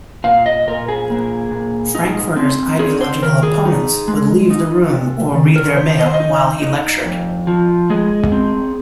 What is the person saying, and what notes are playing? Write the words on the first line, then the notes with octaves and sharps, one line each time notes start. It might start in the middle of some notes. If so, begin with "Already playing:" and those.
Frankfurter's ideological opponents would leave the room or read their mail while he lectured.
A#2 F5
D#5
A#2 A#4
G#4
A#3
A#2
D#4
C4
C4 G#4
C5
D#3 A#4
G#4
D#4
G#3
D#4
C3
D#3
A#4
D#3 C5
D#5
C5
D#5
D#4
D#4
F2
F3
G#3 G#4
C4